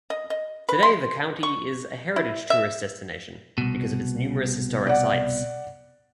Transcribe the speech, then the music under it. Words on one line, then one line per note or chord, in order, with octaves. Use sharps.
Today, the county is a heritage tourist destination, because of its numerous historic sites.
D#5
D#5
B4
C6
C#6
E4
E5
C2 B2
D5 F#5